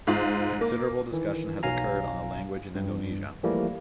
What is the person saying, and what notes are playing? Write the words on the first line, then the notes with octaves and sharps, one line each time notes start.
Considerable discussion has occurred on the language in Indonesia.
G#2 F4
A#3
D#3 E3
B1 F#3 F5 G#5 A#5
G2
E3 F3 G3 A3 A#3